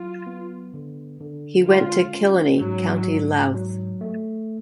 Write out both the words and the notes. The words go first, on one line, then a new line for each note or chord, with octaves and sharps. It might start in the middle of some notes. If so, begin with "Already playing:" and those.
He went to Killanny, County Louth.
Already playing: F#3 F4
B3
D3
D3
G#3 F4
C#4
G#2 F#3
G#2
F#3
A3